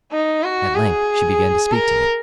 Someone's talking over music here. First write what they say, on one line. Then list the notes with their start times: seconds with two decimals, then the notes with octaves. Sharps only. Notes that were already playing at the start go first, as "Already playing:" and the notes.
At length she began to speak to me.
0.12 D#4
0.44 F#4
0.76 G#4
1.72 A#4